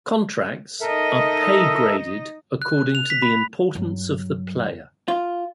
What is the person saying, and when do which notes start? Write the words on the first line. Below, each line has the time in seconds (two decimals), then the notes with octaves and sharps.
Contracts are pay graded according to the importance of the player.
0.81 D#4 A4 A#4 D#5 E5
2.62 F#6
2.95 F7
3.10 B6
3.22 B5
3.75 G2 F#3
5.08 F4